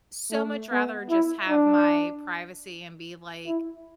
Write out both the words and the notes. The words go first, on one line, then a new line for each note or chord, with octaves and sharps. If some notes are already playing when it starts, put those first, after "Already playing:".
so much rather just have my privacy and be, like,
A3
B3
E4
D4
E4